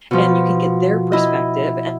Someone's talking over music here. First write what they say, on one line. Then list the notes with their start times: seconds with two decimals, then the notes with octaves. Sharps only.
and you can get their perspective and
0.11 B2 F3
1.12 E4 D#5